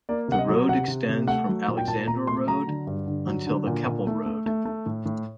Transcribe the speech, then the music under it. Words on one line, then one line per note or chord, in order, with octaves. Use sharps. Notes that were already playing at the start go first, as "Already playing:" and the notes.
The road extends from Alexandra Road until the Keppel Road.
A#3 D5
C3 F#5
D#5
F#3
C3 F#5
C3
C3
A3 F#5
F#3
A#2
G5
A#2 A5
A#2 A#5
A3 C6
F#3 A#5
D3
G2
D3
F#3
D3
A#2
A#2
A3
A3
A3
A3
A2
A2